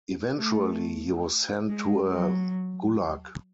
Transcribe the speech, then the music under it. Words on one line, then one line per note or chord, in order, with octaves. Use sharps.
Eventually he was sent to a gulag.
A3
G#3
F#3